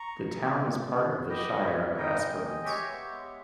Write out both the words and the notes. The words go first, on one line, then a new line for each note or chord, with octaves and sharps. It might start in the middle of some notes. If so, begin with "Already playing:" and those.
The town is part of the Shire of Esperance.
Already playing: A#5 C#6
B3
D#4
G#3
B3
B3
G4 D#5 G5
B3
C#5 E5
B3
D#4 D#5 G5
G#3
G#3
G4 C#5 E5
B3
G#3